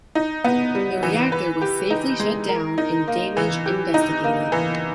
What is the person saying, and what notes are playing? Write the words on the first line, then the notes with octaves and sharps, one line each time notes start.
The reactor was safely shut down and the damage investigated.
D#4
B3
G3
E3
B4
G4
D#4
G#3
A#4
D#4
A#3
E3
G4
D#4
A#3
E3